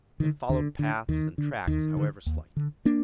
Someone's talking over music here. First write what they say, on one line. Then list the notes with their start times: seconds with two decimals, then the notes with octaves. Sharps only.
They followed paths and tracks, however slight.
0.20 D3 D#3
0.49 D#2 D3
0.79 D3
1.08 D#2 D#3
1.38 D3
1.67 D#2 D#3
1.97 D3
2.26 D#2
2.57 D3
2.85 A#3 D4